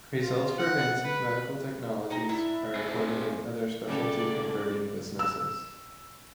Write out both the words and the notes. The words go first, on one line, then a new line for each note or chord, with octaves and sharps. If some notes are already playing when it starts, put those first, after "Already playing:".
Results for Vancive Medical Technologies are reported in Other specialty converting businesses.
F4
F#5
B4
D#4 G4 A#5
D4 E4 E5
C4 G#4
C#2 C#3 G3 A4 D5
E6